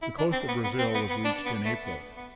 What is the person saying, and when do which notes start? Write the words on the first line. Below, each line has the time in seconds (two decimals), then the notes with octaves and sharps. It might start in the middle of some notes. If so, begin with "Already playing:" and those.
The coast of Brazil was reached in April.
0.02 E4
0.18 D4
0.33 C4
0.48 B3
0.64 B3
0.79 C4
0.94 B3
1.10 B3
1.25 D4
1.46 B3
1.65 A3
1.86 B3
2.17 B3